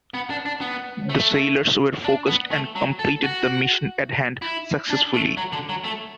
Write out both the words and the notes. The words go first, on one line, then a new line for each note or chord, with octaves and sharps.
The sailors were focused and completed the mission at hand successfully.
B3
D4
D4
B3
A3
D4
B3
A3
F#3
A4
F#4
E4
D4
A3
F#3
D3
F#3
A3